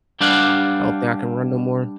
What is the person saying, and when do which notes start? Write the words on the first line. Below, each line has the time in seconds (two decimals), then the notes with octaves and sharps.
I don't think I can run no more.
0.21 G3 D4 G4 D5 F5 F#5